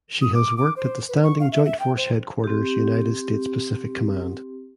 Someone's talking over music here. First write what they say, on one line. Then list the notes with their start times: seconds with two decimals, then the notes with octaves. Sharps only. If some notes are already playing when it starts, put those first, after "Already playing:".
She has worked at the Standing Joint Force Headquarters United States Pacific Command.
0.22 D#6
0.35 D6
0.57 D6
0.76 C5
1.09 B4
1.24 C#6
1.40 F5
1.52 E5
1.65 E5
1.80 G5
1.97 C5
2.44 C4 G4